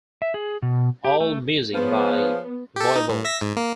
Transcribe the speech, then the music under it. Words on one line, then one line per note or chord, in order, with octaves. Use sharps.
All music by Voivod.
E5
G#4
B2
G4
A3
F3 B3 G#4 B4 C#5
G4 A4
D#4
A2
E5 A#6 B6
G#2
A#3